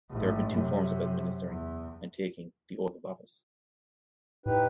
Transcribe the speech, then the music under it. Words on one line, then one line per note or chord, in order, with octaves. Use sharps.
There have been two forms of administering, and taking, the oath of office.
A1 G#2
F#2 C3
E2
A2 D#4 G4 B4